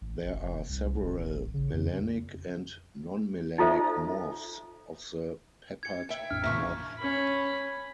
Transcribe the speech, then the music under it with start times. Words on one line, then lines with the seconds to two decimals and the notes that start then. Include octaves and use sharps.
There are several melanic and non-melanic morphs of the peppered moth.
0.01 A1
0.26 F1
0.69 C2
1.00 D#1
1.29 A1
1.54 C#3
1.73 F2
3.58 D#4 F4 A4 C5 E5
5.83 G#6 C#7
6.09 E5 G5
6.31 A1 F2 D4 F6
6.44 A#2 C#3 F3 C#6 B6
6.99 C#4 B5